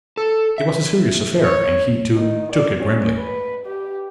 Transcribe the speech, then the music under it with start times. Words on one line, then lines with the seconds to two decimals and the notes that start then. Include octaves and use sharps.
It was a serious affair, and he, too, took it grimly.
0.17 A4
0.58 E5
1.44 C#5
2.16 D#3
2.52 D5
2.81 C#4
3.17 B4
3.66 G4